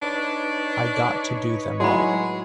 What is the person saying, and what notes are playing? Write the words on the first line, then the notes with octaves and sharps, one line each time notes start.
I got to do them all.
D4 D#4 B4 C#5
A2 F#3 G#3 F#4 G#4 B5